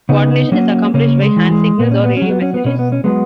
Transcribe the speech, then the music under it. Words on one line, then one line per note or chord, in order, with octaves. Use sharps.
Co-ordination is accomplished by hand signals or radio messages.
C#3 B3 D#4
F#3 A#3 C#4
C#3 A#3 C#4
G#3
E3
G#3
A#2 B3
C#4
B3
F#3 C#4
B3
C#4
B3
B2 C#4
B3
C#4
F#3 G#3 B3